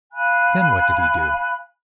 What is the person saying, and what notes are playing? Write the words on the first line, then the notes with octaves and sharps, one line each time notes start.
Then what did he do?
F5 G#5 B5 F#6